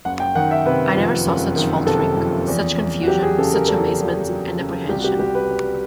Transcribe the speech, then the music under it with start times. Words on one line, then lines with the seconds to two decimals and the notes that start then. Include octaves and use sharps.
I never saw such faltering, such confusion, such amazement and apprehension.
0.05 F#1 F#5
0.20 G5
0.35 D#3 F#5
0.51 E5
0.66 C3 B4
0.96 F2
1.26 F#1
1.56 D#3
1.86 C3 A4
2.17 F2
2.48 E2
2.78 E2
3.03 F#4
3.08 F#3 G4
3.22 G#4
3.38 C#3 A4
3.53 A#4
3.68 E2 A4
3.98 E2
4.29 F#3
4.59 C#3
4.89 C2 G4
5.00 F#4
5.04 G4
5.19 C2 G4
5.35 B4
5.51 G3